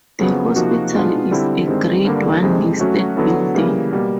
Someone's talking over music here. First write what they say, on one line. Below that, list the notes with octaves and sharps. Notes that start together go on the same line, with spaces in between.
The hospital is a grade one listed building.
F2 C#3 F#3 B3
C3 F3 A#3 D#4 F#4
B2 G#3 B3 D4 F4
D3 G3 C4 E4
G2 D#3 G#3 C4
G2 D3 G3 A#3
F2 C3 D#3 G#3 C4
F#3 A3 C#4 F#4
D3 F#3 B3 E4 A4
C#3 E3 G3 A#3
B2 G3 A#3